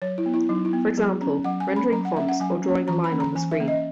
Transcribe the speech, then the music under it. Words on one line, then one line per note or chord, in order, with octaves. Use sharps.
For example: rendering fonts or drawing a line on the screen.
F#3 C#5
E4
B3
E4
F#3 D#4
E4
B3
F#3 G#4
C#4
F#3 F#5
G#5
C#4
B5
F#3 A#5
F#5
A#3 C#4 E5
F#5
F#3 G#5
A#3 C#4
E3 A#5
B5
A#3 C#4
A#5
E3 G#5
E5
A#3 C#4
D#5